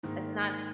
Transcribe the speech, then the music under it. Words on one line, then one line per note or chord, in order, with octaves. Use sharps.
it's not s
G#2 D#3 A#3